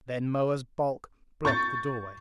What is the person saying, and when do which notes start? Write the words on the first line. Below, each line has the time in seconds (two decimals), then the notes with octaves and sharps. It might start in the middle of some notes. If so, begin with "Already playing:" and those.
Then Moa's bulk blocked the doorway.
1.45 C#6 G6 A6